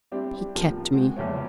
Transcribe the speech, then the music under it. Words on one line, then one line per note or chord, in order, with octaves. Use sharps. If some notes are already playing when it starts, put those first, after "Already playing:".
"He kept me."
G3 C4 D4 E4 G4
A2 F3 A#3
G#3 C4 F#4
A#1 E2 E4 C#5